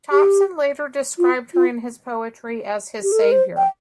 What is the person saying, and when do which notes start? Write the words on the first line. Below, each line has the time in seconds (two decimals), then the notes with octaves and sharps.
Thompson later described her in his poetry as his saviour.
0.11 G4
1.18 F4
1.54 F4
3.03 G4
3.12 A4
3.22 A#4
3.32 C5
3.57 G5